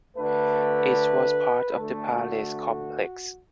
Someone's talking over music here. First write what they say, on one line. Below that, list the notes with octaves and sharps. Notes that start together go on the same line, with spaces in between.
It was part of the palace complex.
D2 D3 A3 B4
D2 D3 A3 A4
F#4